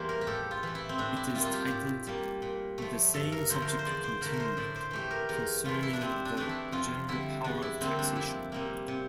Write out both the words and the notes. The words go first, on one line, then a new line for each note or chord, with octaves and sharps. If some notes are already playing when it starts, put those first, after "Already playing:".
It is titled, The Same Subject Continued: Concerning the General Power of Taxation.
Already playing: E2 E3 G3 A#3 C5 D5
A#4
G4
A2 A4
F4
E3 A3
E4
C4
A2 D4
E4
G3 A#3 F4
F4
G4
A2
G3 A#3
A#2
F3 A3
G2 A4
A#4
D3 F3 A3 C5
A#4
C5
C5
E2 D5
C5
D3 A3 A#4
A#4
C5
A2 D5
C5
E3 A3 G4
A#4
E2 A#4
E3 A3 F4
E4
D4
C3 C4
D4
E3 A3 D4
E4
F2 F4
D3 G3 E4
E2 D4
E4
D3 G3 A#3 C4
D4
F2 E4
C3 G3 A#3
C3